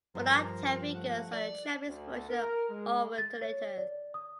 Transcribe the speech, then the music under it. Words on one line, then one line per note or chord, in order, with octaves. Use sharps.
Binaltech figures are the Japanese version of Alternators.
G2 F3 A#4 C5 A#5
A3 F#5
D5
D2
A#4
G#3
A6
C#5
D5
D#6